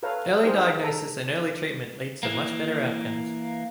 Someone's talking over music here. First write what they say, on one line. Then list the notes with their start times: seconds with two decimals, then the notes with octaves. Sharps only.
Early diagnosis and early treatment leads to much better outcomes.
0.03 A4 B4 C#5 F5 A#5
0.45 D#4 G4 G#4 A#4 C5
0.81 A4 A#5
2.23 E3 A#3